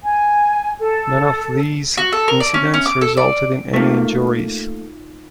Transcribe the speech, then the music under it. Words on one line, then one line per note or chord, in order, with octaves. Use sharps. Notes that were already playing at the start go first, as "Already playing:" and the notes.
None of these incidents resulted in any injuries.
G#5
A4
F#4
A4
A#4
D5
C#4
C#4
D6
A4
D5
A3 A#3 D#4 F4